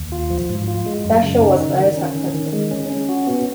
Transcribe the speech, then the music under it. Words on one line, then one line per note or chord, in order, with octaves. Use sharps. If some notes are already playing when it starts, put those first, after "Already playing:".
That show was successful.
Already playing: D#2
F4
F3
G#2
F4
G#3
F#2
C#3
D#4
D#3
D#3
C#4
D#3
D#3
G#3
C#4
C#4
F#4
B3